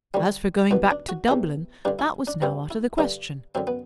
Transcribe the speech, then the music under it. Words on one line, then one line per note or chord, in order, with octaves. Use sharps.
As for going back to Dublin, that was now out of the question.
D2 D3 G3
C2 B2 B3
D4
F#4
E2 C3 E3 E4
G2 D3 D4
E4
D4
G2 D3 C4
E4
G2 D3 D4
F#2 D3 C4
B3